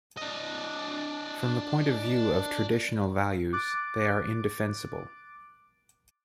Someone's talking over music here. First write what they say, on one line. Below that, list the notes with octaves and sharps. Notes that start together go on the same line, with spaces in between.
From the point of view of traditional values, they are indefensible.
D4 D#5
D6 F#6 A6 D7